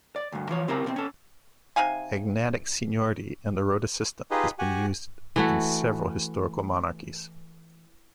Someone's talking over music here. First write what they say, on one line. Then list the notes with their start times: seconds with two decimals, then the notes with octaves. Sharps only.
Agnatic seniority and the rota system has been used in several historical monarchies.
0.16 D5
0.32 D2 G2
0.49 E3 F3 C#5
0.68 C#3 C4 E4 G4 A#4 A#5
0.84 B2 D3 C4
0.96 C#4 A4
1.76 C3 D#4 F5 G#5
4.31 D#4 F4 G4 G#4 B4 D#5
4.59 F#4 G4 F#5 G#5
5.36 E3 A3 F#4